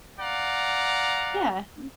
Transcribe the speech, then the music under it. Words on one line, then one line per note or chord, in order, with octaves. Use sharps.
Yeah, y
D5 F5 F#5 A#5